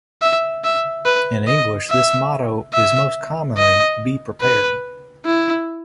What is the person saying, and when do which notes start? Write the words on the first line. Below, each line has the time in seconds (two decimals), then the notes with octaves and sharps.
In English, this motto is most commonly Be Prepared.
0.22 E5
0.64 E5
1.05 B4
1.47 D#5
1.90 E5
2.73 E5
3.57 D#5
4.41 B4
5.25 E4